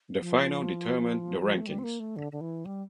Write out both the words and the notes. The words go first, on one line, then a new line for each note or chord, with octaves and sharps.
The final determined the rankings.
F3
A3
G3
C4
A#3
A3
D3
D3
E3
G3